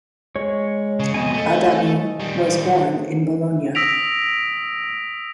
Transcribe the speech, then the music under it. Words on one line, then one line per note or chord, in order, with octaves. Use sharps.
Adami was born in Bologna.
G#3 C#5
C#3
F2 B2 D#5 G#5
A3
D#3 G3
D#6 E6 A#6 B6 D7 F7